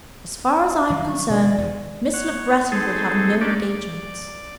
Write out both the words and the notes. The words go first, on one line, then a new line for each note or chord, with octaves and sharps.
"As far as I am concerned, Miss Le Breton will have no engagements."
E5
D#3 F#3 G3 F5
C#6
B2 A3 B3 D5
E2 G2 D#3
C#5 F#5
A3 C4 D#4 G#4 A4
A#3 C#4 D4 G4 A4 D5
D5